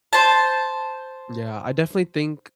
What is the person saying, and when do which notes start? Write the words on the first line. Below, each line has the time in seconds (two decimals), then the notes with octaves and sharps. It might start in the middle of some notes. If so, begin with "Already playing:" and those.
Yeah, I definitely think
0.13 C5 A5